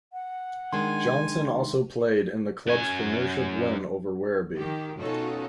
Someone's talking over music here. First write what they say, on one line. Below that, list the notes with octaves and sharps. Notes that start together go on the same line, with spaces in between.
Johnson also played in the club's premiership win over Werribee.
F#5
D#3 G#3 D4 G#5 C6
F#2 G#5
D#3 G4
B2 C#4 D#4 F4 F#4 A4